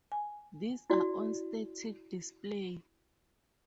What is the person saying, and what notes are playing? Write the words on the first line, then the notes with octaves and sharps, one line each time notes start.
These are on static display.
G#5
E4 F#4 D5